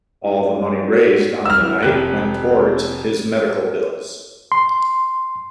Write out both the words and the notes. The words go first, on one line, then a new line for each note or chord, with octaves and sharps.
All the money raised on the night went towards his medical bills.
A2 G3 D#4
G2 C#4 G4 C#5 D5
F#4
E6 F6
E3
F1 G4 F#6
C6